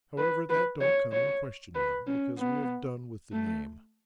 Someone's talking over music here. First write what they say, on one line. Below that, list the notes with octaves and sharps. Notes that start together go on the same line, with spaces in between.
However, that don't come in question now, because we have done with the name.'
B4
B4
C#5
C#5
B4
C#4
B3
A3